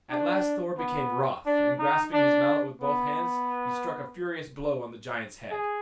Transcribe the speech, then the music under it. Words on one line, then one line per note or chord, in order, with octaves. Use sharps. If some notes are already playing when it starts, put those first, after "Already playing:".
At last Thor became wroth, and grasping his mallet with both hands he struck a furious blow on the giant's head.
D4
B3
D4
D#4
D4
B3
G#4